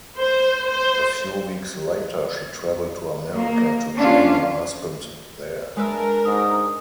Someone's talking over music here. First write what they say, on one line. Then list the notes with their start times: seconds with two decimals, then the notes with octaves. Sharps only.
A few weeks later she traveled to America to join her husband there.
0.17 C5
0.66 C5
3.34 A#3
3.97 C#4 D4 F4
5.76 G#3 D4 A#4 B4 E5
6.25 G#2 D#6